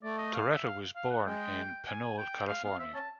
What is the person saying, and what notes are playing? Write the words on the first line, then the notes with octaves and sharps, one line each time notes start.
Torretta was born in Pinole, California.
A3 D5
D#5
F5
E5
F5
F5
F#5
G#3 G5
G#5
G5
G#3 F5
B3 F5
C4 E5
C#4 A5